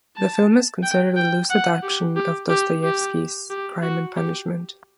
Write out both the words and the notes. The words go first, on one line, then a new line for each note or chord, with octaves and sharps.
The film is considered a loose adaptation of Dostoyevsky's "Crime and Punishment".
A5
G5
G5
F#5
G4
G4
G4
G4
G4
F#4
G4